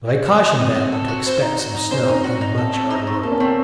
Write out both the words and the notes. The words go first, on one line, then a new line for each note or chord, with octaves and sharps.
But I cautioned them to expect some snow and much hard work.
F#4
A4
F#4
C4 D#5
F#4
A4
F#4
C5
D#4
F#4
D#4
C#4 C5
C4
C#4 D#4
F#4
D#4
C4 A4
A3
D#4
A3
A#3 A4
C#4
A3 C4